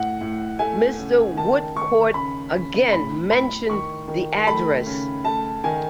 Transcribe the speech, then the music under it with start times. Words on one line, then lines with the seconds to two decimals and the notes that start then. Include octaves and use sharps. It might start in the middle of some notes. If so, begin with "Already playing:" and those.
Mr. Woodcourt again mentioned the address.
Already playing: A2 F#5
0.21 A2
0.59 A3 G#5
0.98 C#3
1.37 D#3 A5
1.76 D#3 C#6
2.14 C#3 B5
2.53 C#3
2.92 A2 B5
3.30 A2 B5
3.70 D#3 C#6
4.08 D#3
4.44 A5
4.47 A3 B5
4.86 C#3
5.25 A3 A5
5.64 D#3 G#5